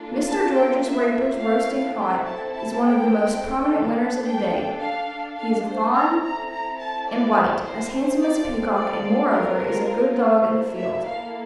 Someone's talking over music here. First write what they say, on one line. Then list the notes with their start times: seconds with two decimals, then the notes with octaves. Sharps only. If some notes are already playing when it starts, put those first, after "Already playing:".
Mr. George Raper's Roasting Hot is one of the most prominent winners of the day; he is a fawn and white, as handsome as a peacock and, moreover, is a good dog in the field.
Already playing: A#3 D4 F4 A4
0.27 A5
0.54 G5
0.84 E5
1.40 C4 E4 A4 F5
1.97 G5
2.25 A5
2.53 A5
2.82 G5
3.67 D4 A4
4.24 G5
4.80 F5
5.36 F5
5.65 C5
5.93 C4 E4 A4 A#5
6.22 A#5
6.51 A#5
6.78 A5
7.07 D5
7.64 C5
8.20 C4 F4 A4 D5
8.77 D5
9.33 A#4
10.46 A#3 E4 A4 C5
10.76 E5
11.04 F5